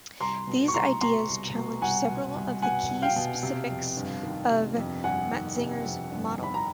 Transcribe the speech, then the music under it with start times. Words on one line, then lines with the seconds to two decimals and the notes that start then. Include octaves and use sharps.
These ideas challenge several of the key specifics of Matzinger's model.
0.20 C2 A#5 C6
0.47 B2
0.68 C#6
0.74 C2 A#5 C6
1.01 B2 A#5 C6
1.28 C2
1.55 B2
1.82 C2 F#5 G#5
2.09 B2
2.35 C2
2.62 B2 F#5 G#5
2.89 C2
3.02 F5 G5
3.16 B2
3.43 C3
3.70 F2
3.97 G1
4.23 D#3
4.50 C3
4.77 F2
5.04 G1 F#5 G#5
5.31 D#3
5.58 C3
5.84 F2
6.11 G1
6.38 D#3 B5
6.54 A#5